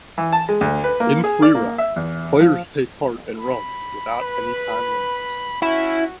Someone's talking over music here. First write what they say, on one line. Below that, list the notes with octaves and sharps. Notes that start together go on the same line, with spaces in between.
In Freeride, players take part in runs without any time limits.
E3
A5
G#3
D2
B4
A#3
G#4
D5
A#3
E5
E2
F3
B5
B4
C#4 E4 F#4